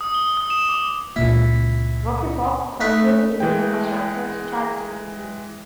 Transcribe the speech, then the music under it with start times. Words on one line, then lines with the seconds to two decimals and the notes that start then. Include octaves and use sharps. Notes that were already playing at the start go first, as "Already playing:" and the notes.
Rokenbok contains a user-constructed chute system.
0.01 D#6
0.14 G7
0.37 D#6
0.50 E7
0.69 D6
1.16 C#2 A#2 A#3 E4
2.80 A3 D#4 B4
3.40 E3 G#3 G5